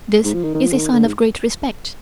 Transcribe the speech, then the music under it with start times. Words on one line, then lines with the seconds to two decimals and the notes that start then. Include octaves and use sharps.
This is a sign of great respect.
0.24 G#2
0.34 F3
0.44 D#3
0.54 D#3
0.64 F3
0.73 D3
0.78 D#3
0.92 D3
1.05 G#2